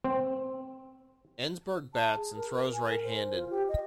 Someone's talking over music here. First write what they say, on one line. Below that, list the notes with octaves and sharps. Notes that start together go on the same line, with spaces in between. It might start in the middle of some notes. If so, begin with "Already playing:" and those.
Ensberg bats and throws right-handed.
C4
A5
G#4
A#4
G#5
A#4
C5
F4
G4
D#5